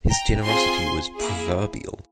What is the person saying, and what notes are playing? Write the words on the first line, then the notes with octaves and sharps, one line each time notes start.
His generosity was proverbial.
G5 A#5
C4 F4 G#4 G#5 C6
A#3 E4 G#4